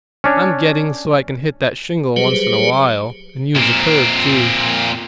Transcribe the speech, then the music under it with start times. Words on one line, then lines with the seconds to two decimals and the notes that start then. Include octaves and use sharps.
I'm getting so I can hit that shingle once in a while, and use a curve, too.
0.24 C#4 D4 C#5
2.16 F#3 G3 G4 G#4 B4 C5
3.56 A#2 C4